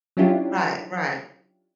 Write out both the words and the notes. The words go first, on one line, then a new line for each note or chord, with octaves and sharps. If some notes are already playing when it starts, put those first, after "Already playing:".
Right, right.
F#3 C#4 D4 E4 F4 G4